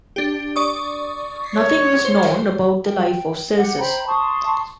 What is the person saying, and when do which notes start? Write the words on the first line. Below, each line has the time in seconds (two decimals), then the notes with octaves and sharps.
Nothing is known about the life of Celsus.
0.16 D4 G4
0.56 D5 C#6 D#6
1.57 C#5
2.05 C5
2.86 G5
3.56 G4 F#5
3.78 C5 G5 A#5 B5
4.06 A5 C6 C#6 D#6